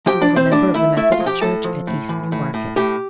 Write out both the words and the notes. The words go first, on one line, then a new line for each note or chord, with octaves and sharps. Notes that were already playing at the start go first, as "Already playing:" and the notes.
She was a member of the Methodist church at East New Market.
F3 G4 G5
D4 D5
B1
C4 C5
A2 D4 D5
A3 E4 E5
A3 E4 E5
F4 F5
F3
G4 G5
A2 A4 A5
F3
A2
E3
A2
A2
A2 G4 G5